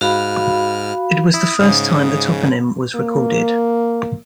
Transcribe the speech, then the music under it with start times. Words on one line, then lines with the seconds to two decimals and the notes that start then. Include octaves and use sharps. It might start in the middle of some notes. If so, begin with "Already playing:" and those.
It was the first time the toponym was recorded.
0.01 G#2 F#4 F5 B5 F6
1.34 E4 D#6
1.60 G#2 C#3
2.95 A#3